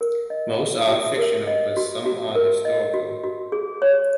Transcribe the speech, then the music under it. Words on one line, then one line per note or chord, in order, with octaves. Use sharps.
Most are fictional but some are historical.
A#4
D#5
F#4
F#4
A#4
D#5
F#4
F#4
A#4
D#5
F#4
F#4
G#4
C#5